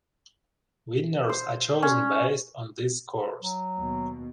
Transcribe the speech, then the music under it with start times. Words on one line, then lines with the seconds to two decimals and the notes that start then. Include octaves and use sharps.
Winners are chosen based on these scores.
1.29 C5
1.83 C#4
3.42 F#3
3.76 D#2 B2